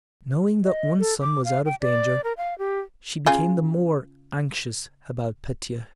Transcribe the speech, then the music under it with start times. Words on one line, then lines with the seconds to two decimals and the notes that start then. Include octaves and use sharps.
Knowing that one son was out of danger she became the more anxious about Petya.
0.64 D#5
1.00 A4
1.21 D6
1.45 F5
1.66 G5
1.81 D5
2.24 A#4
2.37 F5
2.58 G4
3.26 C#3 F4 G#4